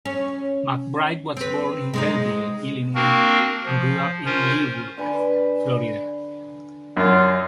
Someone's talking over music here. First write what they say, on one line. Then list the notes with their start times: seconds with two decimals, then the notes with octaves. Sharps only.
McBride was born in Belleville, Illinois and grew up in Leesburg, Florida.
0.06 C#4
1.37 C4 B4
1.94 G#3 C4 D#4
2.95 A#3 C4 D4 F#4 A#4
3.66 F3
4.25 C#4 F4 A#4 C5
4.97 D3 B4 G#5
6.97 F#2 F#3 F4